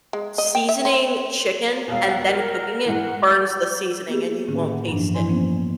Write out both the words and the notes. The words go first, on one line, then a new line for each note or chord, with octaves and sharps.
seasoning chicken and then cooking it burns the seasoning and you won't taste it.
G#3
D#5
G5
E5
C4
E1 B2 F5
F#5
A#4
G#2 E3 F#5
A#3 B3 G4 G#4
A2 D3 D#3 A#3 C#4
F#5
G2 E3 F3 D4
E3 F3 E4 G#5 C6
F3 A#3 B3 C#4 C5